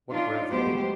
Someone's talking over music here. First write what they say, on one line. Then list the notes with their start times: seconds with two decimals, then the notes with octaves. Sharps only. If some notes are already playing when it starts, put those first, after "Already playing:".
"What were they?"
0.11 D4 D#4 F4
0.50 D2 F#3 G#3 B3 G4 C5